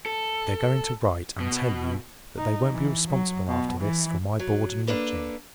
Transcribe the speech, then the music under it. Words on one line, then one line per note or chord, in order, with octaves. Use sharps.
They're going to write and tell you that they won't be responsible after this for my board and lodging.
A4
B2
D#4
E3
F#3
B2
E3
F#3
A#3 D4 A4 B4